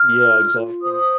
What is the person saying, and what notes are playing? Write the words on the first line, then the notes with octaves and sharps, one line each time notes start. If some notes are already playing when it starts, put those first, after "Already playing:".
Yeah, exactly.
Already playing: F6
F4
F4
C5 D#6